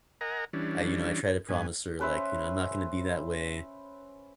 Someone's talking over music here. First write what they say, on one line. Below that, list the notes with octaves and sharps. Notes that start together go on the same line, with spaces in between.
I you know, I try to promise her, like, you know, "I'm not gonna be that way
A#4 D#5 F#5 G#5 A#5
E3 G3 C#4 D4
G2 B3 G#5
C#4 B4 C5 E5